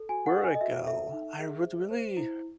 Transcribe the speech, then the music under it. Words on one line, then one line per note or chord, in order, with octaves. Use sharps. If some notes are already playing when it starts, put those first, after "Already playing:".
where would I go? I would really
Already playing: A4
F#4 G#5
F#5
A4
G#5
D#5
F#4 E5
A4 E5
D#4
G#4
C5
C5
E4